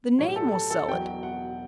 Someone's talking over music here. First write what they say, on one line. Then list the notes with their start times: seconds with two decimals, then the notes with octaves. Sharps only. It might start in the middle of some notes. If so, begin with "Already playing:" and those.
The name will sell it!
0.18 B1 A2 F#3 C#5
0.28 G4
0.36 A4
0.53 A4
0.70 A4
0.88 E1 E2 B2 F#3 G5
1.23 F#5